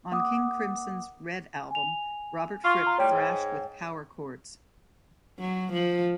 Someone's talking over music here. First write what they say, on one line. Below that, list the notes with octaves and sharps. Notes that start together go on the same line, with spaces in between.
On King Crimson's "Red" album, Robert Fripp thrashed with power chords.
A#3 F#5 D6 D#6
G#5 F7
F4 C#6
A#5
A2 G3 C#5 G5
G#2
F#3
F3